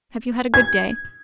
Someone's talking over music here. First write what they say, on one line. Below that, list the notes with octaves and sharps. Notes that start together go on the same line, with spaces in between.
"Have you had a good day?"
G#6